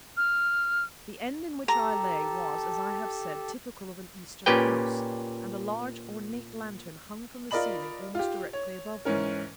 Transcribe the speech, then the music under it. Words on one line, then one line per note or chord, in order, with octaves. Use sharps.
The end in which I lay, was, as I have said, typical of an Eastern house, and a large, ornate lantern hung from the ceiling almost directly above me.
F6
G4 A4 A5 A#5
A#2 C#4 G4 B4 G5
F4 A#4 D5 D#5 B5 F#7
F4 G4
C#5
G#2 E3 C#4 A#4